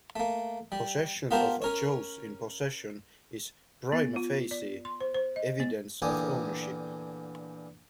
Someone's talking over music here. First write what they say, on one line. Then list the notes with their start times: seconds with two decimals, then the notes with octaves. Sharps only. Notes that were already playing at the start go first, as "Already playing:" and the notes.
Possession of a chose in possession is "prima facie" evidence of ownership.
0.16 A3 A#3
0.72 G3
1.31 B3 F4 G4 A#4 C5 A5
1.62 C#4 A#4 C#5
3.92 B3
4.16 F4
4.51 D5
4.85 C6
5.00 C5
5.14 C5
5.36 D#5
5.60 B3
6.02 E2 A#2 D3 G4 G#5 D#6